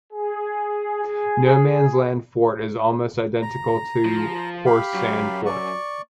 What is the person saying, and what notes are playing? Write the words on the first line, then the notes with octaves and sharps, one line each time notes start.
No Man's Land Fort is almost identical to Horse Sand Fort.
G#4
G#4
A#5
F3
G4 F5 B5
F#2
D5 C#6